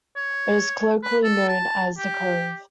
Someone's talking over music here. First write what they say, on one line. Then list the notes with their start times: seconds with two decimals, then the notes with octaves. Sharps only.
It is colloquially known as "The Cove".
0.16 C#5
1.03 B4
1.24 A4
1.48 A5
1.98 G4